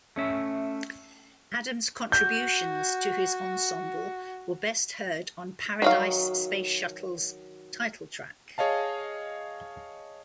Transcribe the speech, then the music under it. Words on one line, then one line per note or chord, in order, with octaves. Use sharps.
Adams' contributions to his ensemble were best heard on "Paradise Space Shuttle"'s title track.
A3 C#4 E5
F#4 G6
D#3 F#3 F5
G#4 C#5 D#5 F5 A5